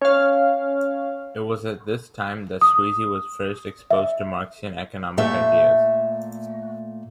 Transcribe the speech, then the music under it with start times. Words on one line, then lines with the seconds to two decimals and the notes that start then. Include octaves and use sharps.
It was at this time that Sweezy was first exposed to Marxian economic ideas.
0.02 C#4 F5
2.61 D#6
3.91 E5
5.18 A#2 A3 E5